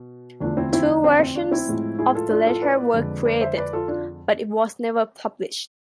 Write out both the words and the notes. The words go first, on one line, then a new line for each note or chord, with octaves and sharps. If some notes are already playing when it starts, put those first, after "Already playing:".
Two versions of the letter were created, but it was never published.
Already playing: B2
E2 D3 F3 A3 D4
C4 E4
C4 E4
D4
C4
C4
D4
C4 E4
A2 F3 G#3
E4 G#4
F4 A4
D4 F4
F4 A4
B4 D5
F2 D3 G#3
B4 D5
C5 E5
B4 D5
F4 A4
D4 F4